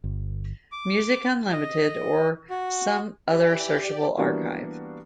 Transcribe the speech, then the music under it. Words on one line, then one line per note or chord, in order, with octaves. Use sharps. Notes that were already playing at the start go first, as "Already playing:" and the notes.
Music Unlimited, or some other searchable archive.
G1
D6
D#5
F#4
E3 G4 D5
E3 G3 A#3 B3 D4 F#4